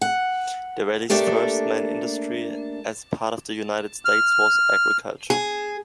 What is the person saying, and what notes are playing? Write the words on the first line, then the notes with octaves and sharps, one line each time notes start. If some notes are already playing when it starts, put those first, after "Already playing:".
The valley's first main industry as a part of the United States was agriculture.
F#5
A3 A#3 D4 G4 A4
F6
G#4